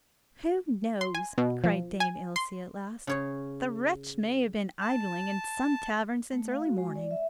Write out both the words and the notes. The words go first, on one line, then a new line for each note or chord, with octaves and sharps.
'Who knows?' cried Dame Ilse at last, 'the wretch may have been idling in some tavern since early morning.'
C6
G#5
B2
F3
G#5
C6
C#3 C#5
A5
A3
F5
F#4
G#3
D5
E5